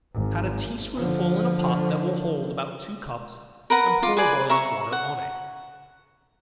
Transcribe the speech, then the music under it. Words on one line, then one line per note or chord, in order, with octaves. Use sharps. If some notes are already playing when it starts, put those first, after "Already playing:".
Pat a tea-spoonful in a pot that will hold about two cups, and pour boiling water on it.
G#1
D3 F3
A#4 B4 F#5 A#5
F4 D6
G#4 B4 D5 G#5
E5 A#5 C#6
F#5